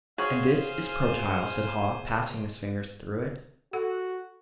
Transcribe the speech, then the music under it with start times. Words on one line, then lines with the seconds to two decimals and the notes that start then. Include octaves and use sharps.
"And this is protyle," said Haw, passing his fingers through it.
0.18 F#4 G#4 C5 C#5 F5 G#5 F6
3.73 F#4 A4 F#5